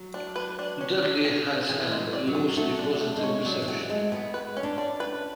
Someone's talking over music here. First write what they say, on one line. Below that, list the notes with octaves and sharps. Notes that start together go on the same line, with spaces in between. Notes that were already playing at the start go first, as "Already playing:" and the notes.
Dudley has had a mostly positive reception.
Already playing: F#3
D4
B4
D4
C#4
D5
G#4
G#4
E3 G#4
E3 G#3
F#3
D5
F#3
G#4
F#3 A3
D4
A3
G#3
C#5
F#3 D4
E3
F#3 G#4
G#3 A3
B3 G#4
B4
C#4
D4
D5
B4